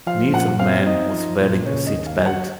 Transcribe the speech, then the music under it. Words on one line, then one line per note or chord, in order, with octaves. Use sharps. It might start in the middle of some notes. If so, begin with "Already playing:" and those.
Neither man was wearing a seat belt.
F3 F5
A#2 F#5
C4 F5
D#4 D#5
F3
A#2
C#3 C#5
D#5
D#2
F5
F#3
F#5